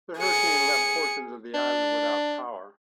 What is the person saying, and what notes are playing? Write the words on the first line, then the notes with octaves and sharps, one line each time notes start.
The hurricane left portions of the island without power.
G#4 C#7
D4